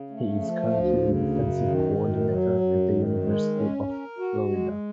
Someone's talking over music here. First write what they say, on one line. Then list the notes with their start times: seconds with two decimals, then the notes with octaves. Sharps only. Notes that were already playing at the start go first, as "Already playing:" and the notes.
He is currently the defensive coordinator at the University of Florida.
Already playing: C#3
0.10 A3
0.42 F3
0.73 D2
1.04 C#3
1.35 F#2
1.67 D#3
1.99 F#2
2.30 F#3
2.61 F#2
2.93 D#3
3.24 G#3
3.55 C#4
3.87 A#4
4.19 F#4
4.49 G#3